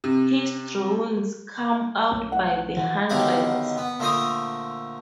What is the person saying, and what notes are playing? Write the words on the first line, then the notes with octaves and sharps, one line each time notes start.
His drawings come out by the hundreds.
C3
B1 A3 C#4
F#5
E3 F#4
B1 D3 D#3 G3 F5 F#5
B3
A#2 D3 A3 C5 A#5 D#6